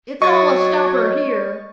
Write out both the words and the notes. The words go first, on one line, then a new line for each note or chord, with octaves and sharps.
"It's all a stopper here."
F#3 C#5 D#5 C#6 A6